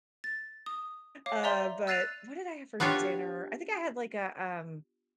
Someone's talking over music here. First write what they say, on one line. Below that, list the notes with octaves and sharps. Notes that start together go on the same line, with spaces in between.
Uh, but what did I have for dinner? I think I had, like, a, um
A6
D#6
C#5 F5 D6
D5 E5 A#5 C6 G6
E6 F#6 A6 C7 D#7 F7
B3 D4 F4 G4 C#5